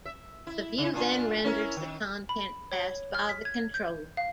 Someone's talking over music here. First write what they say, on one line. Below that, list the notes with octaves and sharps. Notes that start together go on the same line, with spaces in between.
The view then renders the content passed by the controller.
E5
E4
C#3
A#2 D4 F4
C#4 E4 A#4
D#3
B5
C#5
F6
B6
G#6
G6
F5